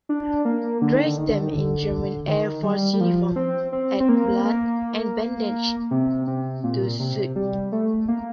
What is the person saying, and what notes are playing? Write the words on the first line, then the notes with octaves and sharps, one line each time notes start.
Dress them in German Air Force uniform, add blood and bandages to suit.
D4
A#3
D3
D#3
D3
D#3
D3
D#3
D3
D#3
G3
G3
F3
C4
C4
C4
A#3
A#3
C3
C3
A#2
C3
G3
A3
A#3